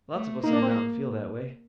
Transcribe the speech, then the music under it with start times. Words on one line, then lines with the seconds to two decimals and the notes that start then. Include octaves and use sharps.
Lots of us in the mountain feel that way.
0.13 A3
0.43 A#3 D#4
0.53 D4
0.62 C4